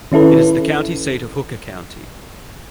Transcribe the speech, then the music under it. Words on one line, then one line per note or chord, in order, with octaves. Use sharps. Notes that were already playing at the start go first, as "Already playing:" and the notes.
It is the county seat of Hooker County.
D#3 C#4 E4 A4 B4